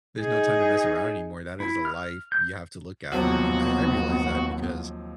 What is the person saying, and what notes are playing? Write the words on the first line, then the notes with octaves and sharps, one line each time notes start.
there's no time to mess around anymore, that is a life you have to look after, and I I realize that because
D#4 G#4
E4
F6
G6
D#2 C3 F3 F#3 B3 F#4